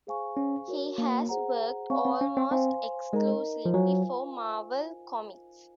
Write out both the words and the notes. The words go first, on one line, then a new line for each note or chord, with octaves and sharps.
He has worked almost exclusively for Marvel Comics.
G#4 C5 F5 G#5 C#6
C#4
F#4 A#4 C#5
A#3
G#4 C5 F#5 A#5
C4 C#5 F5 G#5 C#6
C4
C#4
C4
C4 C5 F5 G#5 C6
G#3 D#4 A#4 D#5 A#5
F3
F#3 F4 C5 F5 G#5